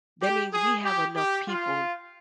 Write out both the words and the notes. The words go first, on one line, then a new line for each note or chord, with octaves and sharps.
that means we have enough people
G4
G#4
G4
G4
F4